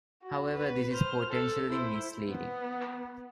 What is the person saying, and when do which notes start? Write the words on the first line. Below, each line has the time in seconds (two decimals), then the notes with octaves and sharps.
However, this is potentially misleading.
0.24 F#4
0.54 B4
0.93 C5 F6
1.30 A4
1.70 E4 C5
2.29 B3